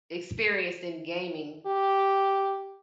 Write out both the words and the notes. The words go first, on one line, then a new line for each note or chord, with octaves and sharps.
experienced in gaming
G4